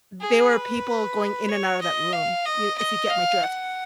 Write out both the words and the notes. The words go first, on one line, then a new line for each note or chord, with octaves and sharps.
there were people going in and out of that room, you if you get my drift.
G#4
B4
C#5
D#5
F5
D#5
D#5
F5
F#5